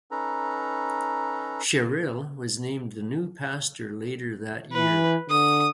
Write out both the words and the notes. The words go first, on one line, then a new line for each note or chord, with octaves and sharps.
Sherill was named the new pastor later that year.
C#4 D#4 A4 B4 A#5
E3 B4
D3 D#6